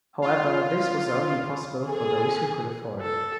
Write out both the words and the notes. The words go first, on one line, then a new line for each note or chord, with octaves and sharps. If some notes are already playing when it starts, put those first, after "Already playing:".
However, this was only possible for those who could afford it.
F4
G#4 A4
A4